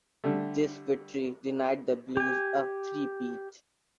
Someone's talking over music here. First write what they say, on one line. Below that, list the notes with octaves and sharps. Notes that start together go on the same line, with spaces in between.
This victory denied the Blues a three-peat.
D3 G3 A3
G4 G#5